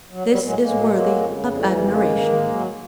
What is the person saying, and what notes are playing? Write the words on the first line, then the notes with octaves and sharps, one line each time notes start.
This is worthy of admiration.
F#3
F#3 G3
A2 F#3 G#3
A3
A2 G#3 A#3
F#3
F#3
F2
C#3
F2
E3 G3 A3
F2 G3 A3
C#3 G#3 A#3
G#2
D#3
G#2
F#3